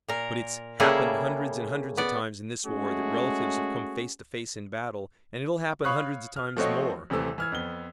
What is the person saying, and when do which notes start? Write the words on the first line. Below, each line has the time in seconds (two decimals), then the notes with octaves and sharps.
But it's happened hundreds and hundreds of times in this war that relatives have come face to face in battle, and it'll happen hundreds of times more.
0.08 A#2 A#4
0.80 C#3 G3 A#3 E4 G#4 A4
1.97 B3 D5
2.65 G#3 A3 C#4 F#4 G#4
5.85 C#5 F5 B5 C#6 D#6 F#6
6.36 F6
6.57 F3 A3 C4 F#4 C#5 D#5
7.10 D#1 C3 E3 A3 E6
7.38 E3 F6 G#6
7.52 F2 B3 G7